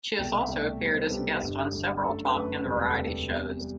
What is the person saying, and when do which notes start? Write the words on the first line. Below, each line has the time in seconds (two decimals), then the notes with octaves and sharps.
She has also appeared as a guest on several talk and variety shows.
0.18 C2 B2 A3 G5
0.39 E5
0.49 C2 B2 A3 D5
0.80 C2 B2 G3
0.87 C5
0.94 B4
1.02 A4
1.11 C2 B2 G3 G4
1.42 G1 G2 D3 G3
1.73 G1 G2 D3 G3
2.04 F#2 D3 A3 A4
2.25 B4
2.35 F#2 D3 A3 B4
2.65 E1 D2 C3 G3
2.77 B4
2.87 A4
2.97 E1 D2 C3 G3 G4
3.28 E2 C3 G3
3.61 C3 G3